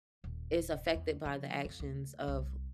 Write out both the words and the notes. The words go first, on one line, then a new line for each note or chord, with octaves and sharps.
is affected by the actions of
D#1
E2
F3
F2
D2
C2